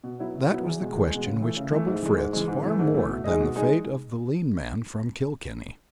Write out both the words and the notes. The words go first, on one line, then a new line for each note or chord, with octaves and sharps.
That was the question which troubled Fritz far more than the fate of the lean man from Kilkenny.
B2
F#3 B3 E4
B2
F#3 B3 E4
E2
B2 G#3
E2
B2 G#3
C#3
E3 A3
C#3
E3 A3
G#2
E3 G#3
G#2
E3 G#3
G#2
E3 A3
G#2
E3 A3
B2
G#3 D#4 G#4 D#5
B2
G#3 D#4 G#4 D#5